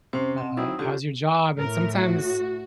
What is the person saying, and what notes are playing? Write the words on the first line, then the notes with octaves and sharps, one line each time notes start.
uh, "How's your job?" and sometimes,
C3 C#4 C5
C4
F#3 C4 D#4 E4 D#6
D3 C#4 F4 G4
A2 A#4
F#4